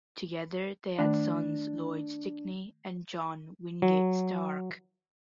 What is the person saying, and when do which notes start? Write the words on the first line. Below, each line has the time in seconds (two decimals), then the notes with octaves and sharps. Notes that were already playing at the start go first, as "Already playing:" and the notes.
Together they had sons Lloyd Stickney and John Wingate Stark.
0.98 D#3 A3 D4 D5
3.82 F#3